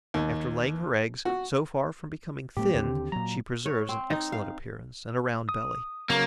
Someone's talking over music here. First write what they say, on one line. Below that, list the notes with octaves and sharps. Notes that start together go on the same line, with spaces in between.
After laying her eggs, so far from becoming thin, she preserves an excellent appearance and a round belly.
D#2
F#4
A2 A3 B3 G4
D#2 D3 C4
A#2 F#3 A#5
C#5
C4
D#4
F5
D#6
C#3 F#3 A#3 C#5